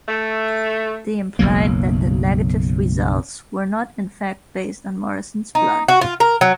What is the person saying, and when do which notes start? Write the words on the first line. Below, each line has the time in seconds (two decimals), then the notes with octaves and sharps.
They implied that the negative results were not in fact based on Morrison's blood.
0.08 A3
1.39 F#1 B1 F#3 A#3
5.55 D#4
5.88 F#4
6.01 F4
6.20 A#4
6.41 F#3